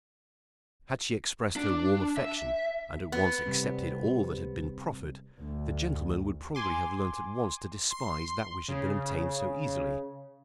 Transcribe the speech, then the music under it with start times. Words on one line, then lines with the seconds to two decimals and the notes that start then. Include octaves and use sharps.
Had she expressed her warm affection, and at once accepted all that had been proffered, the gentleman would probably have learnt at once to despise that which had been obtained so easily.
1.56 D4
2.17 E5
3.12 B3
3.46 C3 G3 C4
5.38 D2
6.55 G#5 C6 D6
7.91 C6
8.68 C#3